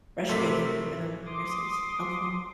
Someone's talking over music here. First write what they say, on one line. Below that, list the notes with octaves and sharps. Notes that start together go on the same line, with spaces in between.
frustrating for them versus helpful.
A2 C3 D#4 A4 A#4 E5 B6
C6 D6 D#6